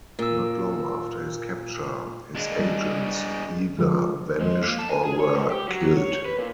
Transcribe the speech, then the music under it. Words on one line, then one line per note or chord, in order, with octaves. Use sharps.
Not long after his capture, his agents either vanished or were killed.
A#2 A#4 E6
G#3 D4
G3
D3 F3 G#3
G#3
A#3
A5
G#5
G#4
C#5
G#2
G4
F#3
C#5
B4
A#2